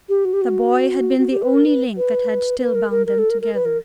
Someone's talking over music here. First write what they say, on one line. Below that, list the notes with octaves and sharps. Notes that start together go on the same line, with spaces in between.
The boy had been the only link that had still bound them together.
G4
F#4
G4
F#4
F#4
G4
B4
A#4
B4
B4
B4
A#4
A#4
A#4
A4
A#4
A#4
B4
A#4